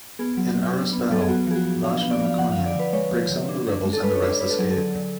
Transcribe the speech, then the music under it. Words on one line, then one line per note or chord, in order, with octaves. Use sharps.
In Arest battle Vache Mamikonyan breaks some of the rebels and the rest escape.
B3 G#4
F#3
F#3
D4
B3
F#3 A4
G#4
B3 F#4
F3 G#4
F#4
F3
D4 F5
B3 F5
D5
F3 F5
F3 F#5
F5
D3
D5
D3 B4
G#3 C#5
F3
D3
D4
D4
G#3
A4
G#3 B4
C#5
D4 B4
D4 B4
A4
F#3 G#4
A4
D3
D3